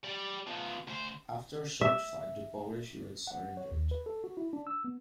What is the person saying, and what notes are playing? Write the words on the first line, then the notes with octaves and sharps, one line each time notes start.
After a short fight the Polish unit surrendered.
G3 D5
F3 B3
D2 C5
E5
F#5
C#5
D#2
B4
A4
F#4
E4
D4
E6
B3